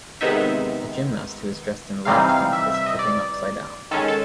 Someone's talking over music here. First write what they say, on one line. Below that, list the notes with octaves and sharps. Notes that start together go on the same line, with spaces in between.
A gymnast who is dressed in light pink is flipping upsidedown.
C3 D#3 G#3 B3 D#4 E5
C3 E3 G3 C4 D#4 F5
F5
E5
E5
D#5
D5
D#3 G#3 C#4 A4
A4